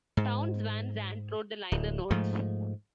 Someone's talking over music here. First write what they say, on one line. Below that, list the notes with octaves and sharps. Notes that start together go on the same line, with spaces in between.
Townes Van Zandt wrote the liner notes.
G#2
D1
G#2 F3 A3